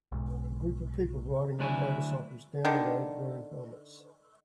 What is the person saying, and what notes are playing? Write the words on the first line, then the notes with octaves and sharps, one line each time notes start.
A group of people riding on motorcycles down the road wearing helmets.
B1 G#2
D2 F#3 D4 E4 G#5
D3 D#3